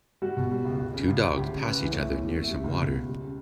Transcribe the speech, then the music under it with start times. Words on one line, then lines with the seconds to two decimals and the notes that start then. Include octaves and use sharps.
Two dogs pass each other near some water.
0.22 G3 F#4
0.37 B2
0.51 G3
0.65 C#2
0.79 C#2
0.93 C#3
1.08 C#2
1.22 C#2
1.36 D2 G4
1.51 C#3
1.65 C#3 B4
1.79 E3
1.93 A3 C#5
2.07 E2
2.21 E2
2.36 A3
2.49 G3
2.64 C#2
2.78 B2
2.93 C#2
3.08 G3
3.21 C#3